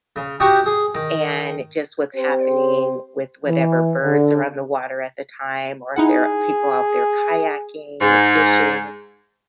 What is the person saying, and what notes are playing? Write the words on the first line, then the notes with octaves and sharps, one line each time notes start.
and just what's happening with whatever birds are on the water at the time, or if there are people out there kayaking or fishing.
C#3
D#4 F#4 G4 A5 C#6
G#4
D#3
C4 G4 C5
E3
D3
D#4 E4 G#4 F#5
G#2